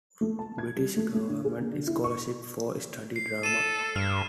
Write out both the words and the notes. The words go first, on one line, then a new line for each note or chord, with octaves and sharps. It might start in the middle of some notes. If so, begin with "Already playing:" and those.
British government scholarship for study drama.
A3
A5
G#6
G3
A3
A3
D3
G#4
A#3
D3
E4
C#6
C7
A4 D#7 E7
G2 F6